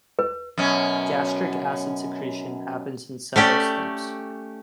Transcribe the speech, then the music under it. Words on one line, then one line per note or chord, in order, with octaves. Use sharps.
Gastric acid secretion happens in several steps.
B4
F#2 B2 C#4
A3 C#4 G4 D5